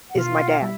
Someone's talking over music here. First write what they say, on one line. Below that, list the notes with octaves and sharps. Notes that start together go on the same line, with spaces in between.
is my dad.
F#5
B2 F4 F5
F#5
F5
G3 E4 E5